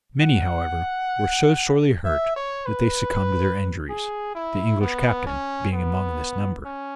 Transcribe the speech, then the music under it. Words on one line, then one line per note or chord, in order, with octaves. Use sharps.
Many, however, were so sorely hurt that they succumbed to their injuries, the English captain being among this number.
F#5
E5
C#5
B4
G#4
E4
B3
C#4
B3
C#4